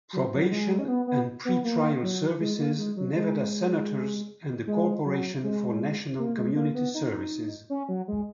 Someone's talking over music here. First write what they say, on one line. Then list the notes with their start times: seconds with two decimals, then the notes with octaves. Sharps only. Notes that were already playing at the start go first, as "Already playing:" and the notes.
Probation and Pretrial Services, Nevada Senators, and the Corporation for National Community Services.
0.13 F#3
0.34 F#3
0.51 G#3
0.79 C#4
0.88 B3
1.07 B3
1.45 B3
1.64 A#3
2.03 F#3
2.40 G#3
2.58 A#3
2.78 G#3
2.97 F#3
3.16 G#3
4.67 G#3
5.05 F#3
5.43 G#3
6.19 A#3
6.37 G#3
6.56 A#3
6.75 B3
6.94 D#4
7.70 C#4
7.89 F#3
8.08 G#3